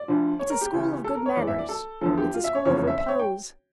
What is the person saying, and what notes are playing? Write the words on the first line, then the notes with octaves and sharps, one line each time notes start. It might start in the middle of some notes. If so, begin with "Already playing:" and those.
It's a school of good manners; it's a school of repose.
Already playing: D5
D2 D3 F3
C#5
A#4
G4
C#2 C#3 E3
A4
A#4
C#5
E2 E3 D5
E5
D5
A4
E2 D3 F3 A4
G4
F4
E5
C#5
F1 E2 C#3 F3 C#5
C#5
E5
E5
C#5
G5